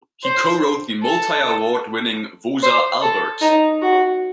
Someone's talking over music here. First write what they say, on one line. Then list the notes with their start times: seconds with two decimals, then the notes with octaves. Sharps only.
He co-wrote the multi-award winning Woza Albert!
0.24 C5
1.03 A4
2.63 C5
3.02 A4
3.41 D#4
3.82 F#4